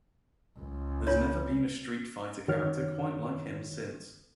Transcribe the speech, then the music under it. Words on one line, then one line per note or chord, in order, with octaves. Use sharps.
There's never been a Street Fighter character quite like him since.
C#2
F4 C#5
F#2 D#3 F#4 C#5 F6